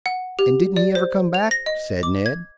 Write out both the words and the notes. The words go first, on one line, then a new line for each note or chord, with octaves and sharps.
"And didn't he ever come back?" said Ned.
F#5
G4
D5
C5
F7
A#6
D#5
D6
G#6